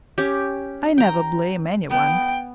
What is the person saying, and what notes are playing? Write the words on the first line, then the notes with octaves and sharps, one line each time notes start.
I never blame anyone.
C#4 G4
G5 A#5
B3 G5